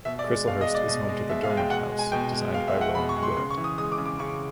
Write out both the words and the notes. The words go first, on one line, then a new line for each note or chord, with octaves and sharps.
Chislehurst is home to the Derwent House, designed by William Willett.
B2 E5
D5
G#3
B2 F5
D#5
G#3
D5
B2 D#5
G#3
B2 E5
F5
G#3
G5
B2 F#5
G#3
G#5
B2 G5
G#3
B2 F5
E5
G#3
F#5
B2 B5
C#6
G#3
C6
C#3 C6
C#6
E3
D#6
G#3 D#6
D6
C#3
D6
C#3 C#6